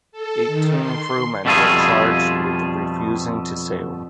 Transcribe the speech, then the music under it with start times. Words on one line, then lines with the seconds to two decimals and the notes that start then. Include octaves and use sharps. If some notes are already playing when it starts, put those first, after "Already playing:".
Eighteen crewmen were charged with refusing to sail.
0.12 A4
0.47 D#3
0.79 C6
1.45 F2 B2 G3 A3 F4 G#4